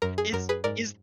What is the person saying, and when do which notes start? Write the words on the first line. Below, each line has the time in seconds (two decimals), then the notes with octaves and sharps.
Is is
0.02 F#2 A#4
0.18 G#4
0.32 F#2 A#4
0.49 G#4 B4
0.64 G#2 A#4 D5